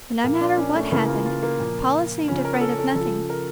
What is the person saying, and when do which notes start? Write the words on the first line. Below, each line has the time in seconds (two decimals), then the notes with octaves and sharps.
But no matter what happened, Paula seemed afraid of nothing.
0.24 A#2 F3 A#3
0.41 D4
0.58 C#4
0.75 A3
0.92 C#3 E3 A#3
1.09 F4
1.26 F4
1.43 A#3
1.60 A#2 F3
2.27 C#3 F3 C#4
2.45 A#4
2.61 A4
2.79 A4
2.95 C#3 F3 A4
3.30 A#4